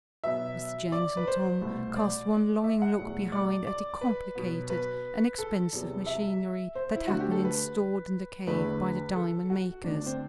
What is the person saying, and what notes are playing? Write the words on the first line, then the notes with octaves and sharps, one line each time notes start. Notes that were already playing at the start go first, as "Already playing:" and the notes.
Mr. Jenks and Tom cast one longing look behind at the complicated and expensive machinery that had been installed in the cave by the diamond makers.
B2 F#3 B3 E5
D5
B4
C5
C2 B2 A3
D5
E5
F#5
E2 B2 F#3 A3
D5
D5
B4
B2 F#3 B3
B4
A4
E2 C3 F#3 B3
E5
C5
E4
D2 D3 A3 F#4
G4
A4
B4
E2 D3 A3 B4
A4
F#4
D2 D3 A3 D4
D4
C4